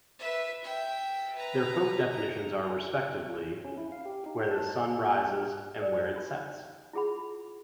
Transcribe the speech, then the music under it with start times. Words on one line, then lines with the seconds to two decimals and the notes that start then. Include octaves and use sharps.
Their folk definitions are, respectively, "where the sun rises" and "where it sets".
0.19 B4 E5
0.63 E5 G5
1.35 B4 A#5
2.11 A#5
3.65 C#4
3.78 E4
3.92 F5
4.06 G4
4.26 D#4
4.51 A5
5.81 A#4 D5
6.16 D#4 G#5 B5
6.93 E4 F4 G#4 F#5 B5